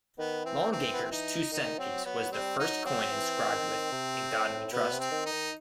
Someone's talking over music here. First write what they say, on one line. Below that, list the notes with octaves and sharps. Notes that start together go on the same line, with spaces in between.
Longacre's two-cent piece was the first coin inscribed with "In God We Trust".
D#3 B3
E3 C4
C4
B3
C4
D#4
D#3 D#4
F#3 C4
F#3 B3
G3 C4
F#3 D#4
F#3 C4
E3
D#3
C3
A2
B2 B3
C3
C4
D#3
D#4
D#3